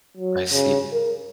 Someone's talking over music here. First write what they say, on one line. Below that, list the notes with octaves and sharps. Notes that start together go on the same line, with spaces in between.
I see
F#3
C#3
A#4